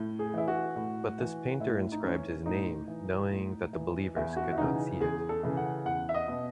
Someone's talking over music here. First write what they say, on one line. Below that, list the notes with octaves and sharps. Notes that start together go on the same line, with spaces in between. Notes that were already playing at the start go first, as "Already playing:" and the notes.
But this painter inscribed his name, knowing that the believers could not see it.
Already playing: A2
G#4
E3 E4
F#4
A2
E3
A2 E4
D#4
E3 C#4
A2 D#4
E3
A2
E3
E2 E4
F#4
E4
C#3 E3 D#4
E2 G#4
A4
C#3 E3
F#5
E2 F#5
E5
D#5
B2